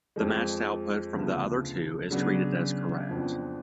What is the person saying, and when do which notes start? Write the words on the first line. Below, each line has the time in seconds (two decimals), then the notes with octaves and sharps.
The matched output from the other two is treated as correct.
0.16 F2 F3 G#3
1.13 D2 C#3 F3 B3
2.11 C#3 F#3 B3 D4
3.09 F2 F3 B3 D4